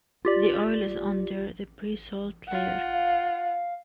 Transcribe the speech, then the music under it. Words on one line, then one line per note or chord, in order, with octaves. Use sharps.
The oil is under the pre-salt layer.
F4 G4 D5
F4 F#5
F5